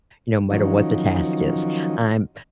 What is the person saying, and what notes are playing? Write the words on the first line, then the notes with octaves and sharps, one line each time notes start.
no matter what the task is, I'm
D#3 F3 F#3 C#4 D#4